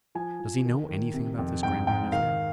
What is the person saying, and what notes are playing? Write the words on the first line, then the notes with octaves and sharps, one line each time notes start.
"Does he know anything about this Grantline affair?"
F3 G#5
F3
D#3
D#3
C3
F2
G#2 G5
G#2 G5
D#3 F5